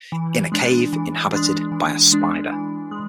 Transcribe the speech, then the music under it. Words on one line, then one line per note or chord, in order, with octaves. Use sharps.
In a cave inhabited by a spider.
E3
G#3 D4
E3
G#3 D4
E3
G#3 D4
E3
G#3